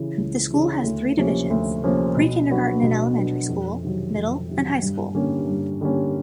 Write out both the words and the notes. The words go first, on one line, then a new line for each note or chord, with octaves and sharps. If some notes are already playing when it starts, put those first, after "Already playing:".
The school has three divisions: pre-kindergarten and elementary school, middle, and high school.
Already playing: C#3 E3
C#2
C#3 E3
D2
C3 F3 A#3 C#4
D2
C3 F3 A#3 C#4
B2
F#3 B3 D4 F#4
B2
F#3 B3 D4 F#4
F2
C3 D#3 F#3
F2
C3 D#3 F#3
G2
D3 G3 A#3 C#4
G2
D3 G3 A#3 C#4